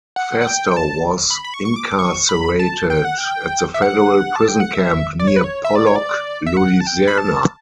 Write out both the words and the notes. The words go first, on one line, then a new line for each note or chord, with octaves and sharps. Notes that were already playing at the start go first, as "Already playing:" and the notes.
Fastow was incarcerated at the Federal Prison Camp near Pollock, Louisiana.
F#5
F#5
G5
G5
A5
B5
B5
C#6
C#6
D6
C#6
B5
A5
G5
F#5
G5
E5
F#5
A5
G5
F#5
E5
D5
C#5
B4
C#5
E5
D5
C#5
D5
E5
F#5
A5
G5
B5
A5